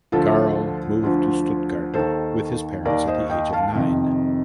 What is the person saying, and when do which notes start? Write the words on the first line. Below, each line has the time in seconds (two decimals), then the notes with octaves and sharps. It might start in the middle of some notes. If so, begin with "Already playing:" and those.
Karl moved to Stuttgart with his parents at the age of nine.
0.12 D2 D3 F3 F4 A4
1.03 D2 D3 F3
1.94 D#2 D#3 A4 C5
2.85 D#2 D#3 A#4 D5
3.07 C5 D#5
3.30 D#5 G5
3.53 F5 A5
3.75 F2 C3 D#3